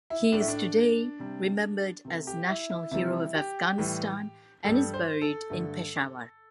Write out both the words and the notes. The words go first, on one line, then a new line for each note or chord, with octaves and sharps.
He is today remembered as National Hero of Afghanistan and is buried in Peshawar.
E4
A2 A3 D4
E4
D4
C3 G3
C3 A3
G4
E4
E4
C3 E3 G3 E4
G4
A2 E3 G3
G2 G3 A4
C5
A4
G2 D3 A3